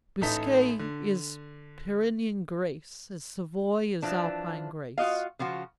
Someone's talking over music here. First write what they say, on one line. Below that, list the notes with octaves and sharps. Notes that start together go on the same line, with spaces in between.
Biscay is Pyrenean grace as Savoy is Alpine grace.
A1 D#4 A4 B6
D3
E3 F3 D4
F4 F#4 D#5 F5
C#3 F3 F4 F#4